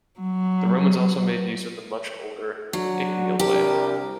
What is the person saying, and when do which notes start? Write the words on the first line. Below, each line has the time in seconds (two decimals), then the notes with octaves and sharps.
The Romans also made use of the much older Icknield Way.
0.20 F#3
2.73 F#3 D4 F#4
3.39 C2 D4 G4 A#4